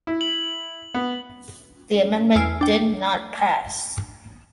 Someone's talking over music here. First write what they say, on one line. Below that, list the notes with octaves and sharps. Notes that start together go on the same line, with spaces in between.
The amendment did not pass.
E4
F#7
B3
E2 G#5 E6 F6 C7 D7
D4 G5